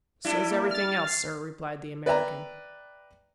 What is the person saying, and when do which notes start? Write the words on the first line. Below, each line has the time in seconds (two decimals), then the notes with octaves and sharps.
"So's everything else, sir," replied the American.
0.24 G3 D4 E4
0.51 A#3
0.71 F6 A6
1.07 C7
2.06 B4 D5 E5 G5 A#5